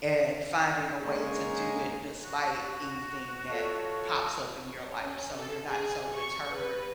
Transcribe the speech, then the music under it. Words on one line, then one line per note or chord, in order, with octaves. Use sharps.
and finding a way to do it despite anything that pops up in your life, so you're not so deterred
G#3 A#3 C#4 D#4 G#4
F#4
F4 A4 C#5
C#5
C#4
A4
G#4
C#6
B4